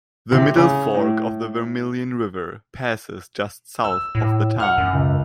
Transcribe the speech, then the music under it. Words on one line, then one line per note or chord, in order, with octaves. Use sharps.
The Middle Fork of the Vermilion River passes just south of the town.
C3
C#3
A2
E6
A2
F#5 F6
F#2
C#2